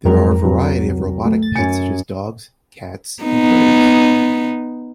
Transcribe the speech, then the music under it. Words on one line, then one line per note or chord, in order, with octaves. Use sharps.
There are a variety of robotic pets such as dogs, cats, and birds.
F2 F#3 G#3 C4 A#4 A#5
C2 F#3
A3
A6
F#2 G#5 C#7
B3 D#4